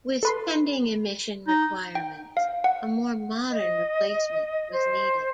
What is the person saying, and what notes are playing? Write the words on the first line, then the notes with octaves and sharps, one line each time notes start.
With pending emission requirements, a more modern replacement was needed.
A4 B4 C6
D#4
G5
F5
F#5
D#5
C5